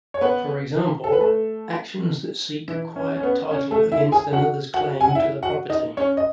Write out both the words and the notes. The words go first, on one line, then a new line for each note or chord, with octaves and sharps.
For example, actions that seek quiet title against another's claim to the property.
C#5
B3 B4
A4
B4
A3 A4
E3 E4
C#4
C#4
B3
C#4
A3 A4
E4 E5
G#4 G#5
F#4 F#5
F#4 F#5
G#5
F#5
E4 E5
F#4 F#5
D#4 D#5
C#4 C#5
D#5